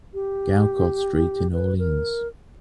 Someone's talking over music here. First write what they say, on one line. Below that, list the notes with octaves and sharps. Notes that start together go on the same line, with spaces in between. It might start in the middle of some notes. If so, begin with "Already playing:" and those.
Gaucourt street in Orleans.
G4
B4
A#4